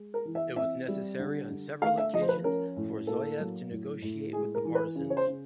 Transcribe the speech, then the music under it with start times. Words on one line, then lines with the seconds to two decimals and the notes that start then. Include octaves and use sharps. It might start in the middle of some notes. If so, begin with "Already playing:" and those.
It was necessary on several occasions for Zuyev to negotiate with the partisans.
Already playing: G#3
0.14 A#4
0.25 E3
0.35 E5
0.56 C4 E5
0.88 G3
1.19 D3
1.50 D3
1.82 A3 F5
1.98 E5
2.13 F3 D#5
2.22 C5
2.29 B4
2.44 C#4 A#4
2.76 A2
3.07 A#3 A4
3.40 F#3
3.71 A2
4.02 A2
4.33 G#3 G#4
4.55 A#4
4.65 E3
4.75 B4
4.96 C#3
5.10 C#5
5.17 C5
5.27 C#3